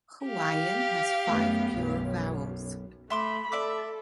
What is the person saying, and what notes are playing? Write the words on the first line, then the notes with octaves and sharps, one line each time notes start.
Hawaiian has five pure vowels.
G4 F5
F#2 A3 B3
B1 F#2
A3 E5 B5 C6 D6
A4 D5 E5 D6